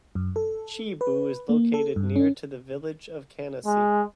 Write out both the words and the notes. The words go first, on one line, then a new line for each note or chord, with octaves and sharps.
Quibou is located near to the village of Canisy.
F#2
A4
B4
A#3
A4
G2
C#4
G#3